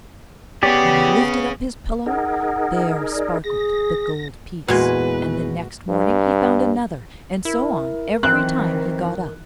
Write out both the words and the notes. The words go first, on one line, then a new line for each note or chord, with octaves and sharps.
But when he lifted up his pillow, there sparkled the gold piece, and the next morning he found another, and so on every time he got up.
B3 C#4 G4 G#4 D5
D#4 G#4 A#4 F#5
D5
G#4 A#6
E2 A#2 G#3 F#4 B4 G#5
G2
E4 A#4
D#3 E3 F#3 C4 F#6